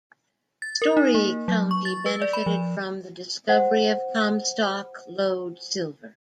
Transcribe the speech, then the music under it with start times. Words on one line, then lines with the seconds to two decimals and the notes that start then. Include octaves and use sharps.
Storey County benefited from the discovery of Comstock Lode silver.
0.62 A6
0.82 A#4
0.97 D#4
1.15 A#3
1.48 F#3
1.71 C#6
1.85 A6
2.06 B4
2.22 D5
2.33 B5
2.46 F3
3.48 C5 F#5